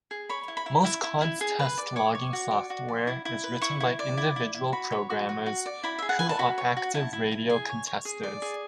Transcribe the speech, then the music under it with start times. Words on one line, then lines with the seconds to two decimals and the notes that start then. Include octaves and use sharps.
Most contest logging software is written by individual programmers who are active radio contesters.
0.11 G#4
0.29 C#5 B5
0.48 E4
0.57 B5
0.66 E4
0.85 E4
1.03 E4
1.22 E4
1.41 G#4
1.59 B4
1.78 D5
1.96 C#5 D6
2.15 C#5
2.33 F#4
2.51 D5
2.70 F#4
2.88 D5
3.07 E4
3.25 E4
3.44 B4
3.61 E4 C#6
3.80 E4
3.99 D5
4.17 E4
4.36 E4
4.55 E4
4.72 F#4 B5
4.92 C#5
5.10 F#4
5.29 F#4
5.46 F#4
5.66 D5
5.83 E4 B5
5.98 G#4 E5
6.09 F#5
6.19 B4 G#5
6.29 A5
6.39 F#4 B5
6.58 C#5
6.77 F#4
6.94 E4 A5
7.13 E4
7.31 E4
7.50 G#4 G#5
7.69 C#5
7.87 C#5
8.05 G#4
8.23 D5
8.42 G#4